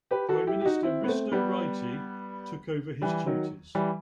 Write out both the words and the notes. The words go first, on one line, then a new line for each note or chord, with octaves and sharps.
Prime Minister Risto Ryti took over his duties.
G4 B4
F#4 A4
E4 G4
G4
D#4 F#4
C4 E4
B3
A3 C4
G3 B3
E3 G3
D#3 F#3
E3 G3